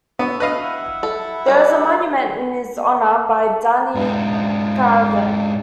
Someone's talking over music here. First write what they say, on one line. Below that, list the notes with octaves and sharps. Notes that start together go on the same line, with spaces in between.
There is a monument in his honor, by Dani Karavan.
B3 F#4 A4
B4 D#5 F5
E4 E5 F#5
A4
D#3 G3 D5
G#2 D4